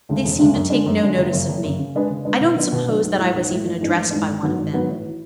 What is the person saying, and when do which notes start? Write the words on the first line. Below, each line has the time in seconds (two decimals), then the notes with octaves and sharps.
They seemed to take no notice of me; I don't suppose that I was even addressed by one of them.
0.09 D2 C#3 G#3
0.25 E1
0.39 D2 C#3 G#3
0.55 F#2
0.70 D3 G#3 D4
0.86 F#2
1.01 D3 G#3 D4
1.17 F#1
1.33 F#2 C#3
1.48 F#1
1.63 F#2 C#3
1.78 C#3
1.95 G#3 D4 G#4 B4
2.10 C#3
2.25 G#3 D4 G#4 B4
2.40 B2
2.56 F#3 B3 D4 F#4
2.72 B2
2.88 F#3 B3 D4 F#4
3.03 B1
3.18 A2 G#3
3.34 B1
3.49 A2 G#3
3.65 A1
3.81 G#2 E3 G#3 D4
3.96 A1
4.11 G#2 E3 G#3 D4
4.27 G#1
4.42 G#2 F#3 B3 F#4
4.58 G#1
4.73 G#2 F#3 B3 F#4
4.89 A1
5.06 E3